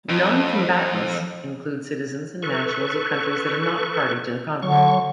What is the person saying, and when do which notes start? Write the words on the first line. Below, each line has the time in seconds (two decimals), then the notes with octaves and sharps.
"Non-combatants" include citizens and nationals of countries that are not party to the conflict.
0.09 F2
2.42 A4 B4 C#6
4.62 D3 F#3 C#6